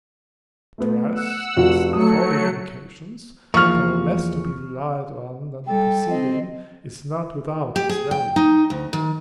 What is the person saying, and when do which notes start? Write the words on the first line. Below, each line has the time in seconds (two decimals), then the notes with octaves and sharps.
Dress, as affording indications, though less to be relied on than the preceding, is not without its value.
0.78 A3 B3
1.13 F#5 E6
1.57 F1 F4 F#4
1.93 F#3 A3 D#6 C#7
3.54 E2 F3 A#3 C#6 F6
5.67 G3 A4 G5
6.10 C4 D#5
7.76 G4
7.89 G#4
8.11 G5
8.36 D#4
8.70 D2
8.93 D#3